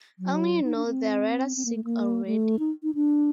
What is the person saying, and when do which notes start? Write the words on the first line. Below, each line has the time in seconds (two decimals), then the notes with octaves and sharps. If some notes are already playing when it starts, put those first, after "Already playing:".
Only you know they're rather sick already.
0.19 F#3
0.64 D#4
0.75 D4
0.87 C4
1.57 C4
1.65 A#3
1.75 A3
1.84 A#3
2.26 A3
2.59 D#4
2.83 D#4
2.95 D4